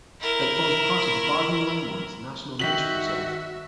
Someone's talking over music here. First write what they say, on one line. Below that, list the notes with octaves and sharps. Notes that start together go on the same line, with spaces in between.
It forms part of the Bardney Limewoods National Nature Reserve.
E4 A#4
D#3 F#4 E5 B6 F#7